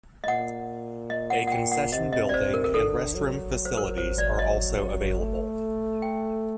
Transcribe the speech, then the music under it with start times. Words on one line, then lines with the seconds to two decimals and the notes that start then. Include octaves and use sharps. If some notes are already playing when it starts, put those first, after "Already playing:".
A concession building and restroom facilities are also available.
0.24 D#5
0.28 A#2 F#5
1.10 D#5
1.30 F#5
1.47 F#5
1.52 G5
1.72 F#5
1.92 C3 D#5
2.13 D#5
2.29 D5
2.34 C5
2.54 A#4
2.64 A#4
2.74 D3 A4
3.16 F#3
3.65 C5
3.77 A#4
3.98 C5
4.18 D5
4.39 D#5
5.20 A3
6.02 G5